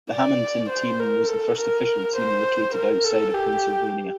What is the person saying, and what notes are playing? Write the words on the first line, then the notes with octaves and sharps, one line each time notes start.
The Hammonton team was the first official team located outside of Pennsylvania.
D5
C5
A#4
A4
A#4
C5
A#4
A4
G4